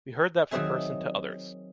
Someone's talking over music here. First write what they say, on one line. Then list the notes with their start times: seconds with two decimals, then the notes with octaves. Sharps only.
We heard that from person to others.
0.51 D#3 F#3 C4 G#4 E5 G#5